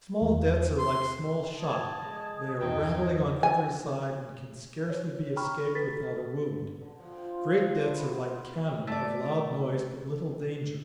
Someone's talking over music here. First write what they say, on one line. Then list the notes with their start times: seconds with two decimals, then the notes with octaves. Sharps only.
Small debts are like small shot; they are rattling on every side, and can scarcely be escaped without a wound: great debts are like cannon; of loud noise, but little danger.
0.22 E2
0.79 C6
1.58 A5 D#6 G#6
2.02 G#3
2.61 E2 G2 D#4 G5
3.43 G#5
4.90 C#5
5.36 G5 A#5 B5 C#6 F6
5.75 A4 B4 A6 B6
6.82 D3
6.99 F3
7.12 G5
7.24 F4
7.38 F5
7.57 C5
7.74 D3
7.87 E4
7.99 B3
8.12 B4
8.28 C5
8.44 A5
8.87 A3 D5